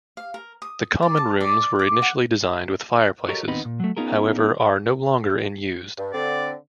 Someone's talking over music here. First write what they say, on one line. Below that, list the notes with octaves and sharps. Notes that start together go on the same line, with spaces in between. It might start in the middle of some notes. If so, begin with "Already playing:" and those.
The common rooms were initially designed with fireplaces, however are no longer in used.
F5
A#4
D#6
D5
A5
D5
D6
F#5
F#4 G4 A4 A#4 C#5 D#5
D#2 B3 C4 D#4 D#5 B5
A#2
F#3 A3
B3 C#4 D#4 F4 G#4 A#4
G2
D3 C4 D5